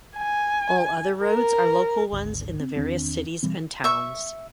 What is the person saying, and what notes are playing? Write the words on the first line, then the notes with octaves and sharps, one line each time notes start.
All other roads are local ones in the various cities and towns.
G#5
A#4
G#1 D2
C4
E2 D#3 C4 D4
B2 E3 G3 C4
E5 C#6